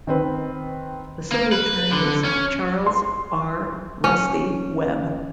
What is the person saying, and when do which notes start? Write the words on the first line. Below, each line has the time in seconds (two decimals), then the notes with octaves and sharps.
The City Attorney is Charles R. "Rusty" Webb.
0.07 D#3 C4 B4
1.32 A#3
1.52 B4
1.92 D3
2.24 C#4
2.86 C6
4.04 C#4